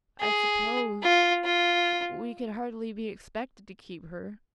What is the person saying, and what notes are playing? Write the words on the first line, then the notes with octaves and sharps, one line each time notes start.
"I suppose--we could hardly be expected to keep her."
G#4
F4
F4